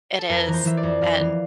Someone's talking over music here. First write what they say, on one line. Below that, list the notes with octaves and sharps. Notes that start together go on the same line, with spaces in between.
it is, and
A4
F2 A#4
E3 A#4
C5
E3 E5
D5
F2
F2 F5
E3